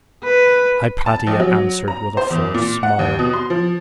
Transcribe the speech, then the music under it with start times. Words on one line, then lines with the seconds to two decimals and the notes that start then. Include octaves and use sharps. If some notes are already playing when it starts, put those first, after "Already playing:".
Hypatia answered with a forced smile.
0.24 B4
1.06 A5
1.27 A#1
1.40 F#3
1.88 A#5
2.17 C5
2.30 E2
2.54 A#2
2.83 F#5
2.99 D#2
3.19 B2
3.33 C6
3.50 F3